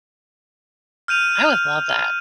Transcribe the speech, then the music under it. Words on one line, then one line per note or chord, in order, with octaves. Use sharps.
I would love that.
F6 G6 D#7 F7